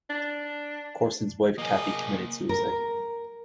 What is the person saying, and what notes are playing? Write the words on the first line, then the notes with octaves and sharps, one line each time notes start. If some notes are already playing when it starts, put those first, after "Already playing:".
Courson's wife Cathy committed suicide.
D4
A#3 G#4 D#5
A#4